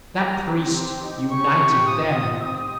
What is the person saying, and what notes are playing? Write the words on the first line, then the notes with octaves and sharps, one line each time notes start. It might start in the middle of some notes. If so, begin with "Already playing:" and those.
"That priest united them."
G3 A#3 D#4 A#5
C4 G4
C4 G4
C4 D#4 G4
G#3 C#4 G4 C#6
A#3 C#4 G4
C4 F4 D#6
C4 F4
C4 D#4 G4 D#6